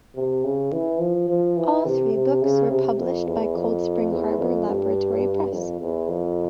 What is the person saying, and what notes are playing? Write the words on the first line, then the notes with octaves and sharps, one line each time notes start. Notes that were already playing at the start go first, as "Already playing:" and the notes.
All three books were published by Cold Spring Harbor Laboratory Press.
C3
C#3
E3
F3
F3
E3
C3
C3
C#3
C3
F2
E2
F2
E2
F2
G2
F2
E2
F2